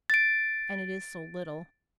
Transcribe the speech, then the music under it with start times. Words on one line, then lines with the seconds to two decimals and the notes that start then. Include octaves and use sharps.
And it is so little!
0.10 A6 D7